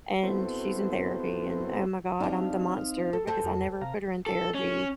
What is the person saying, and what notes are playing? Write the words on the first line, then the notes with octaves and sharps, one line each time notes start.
and she's in therapy, and, oh my god, I'm the monster because I never put her in therapy.
B3 C4 E4 F#4 A4 C5
C4 D4 D#4 G4 F5
A4
C5 G5 A5
F2
C3 F5 A#5
A4
C#4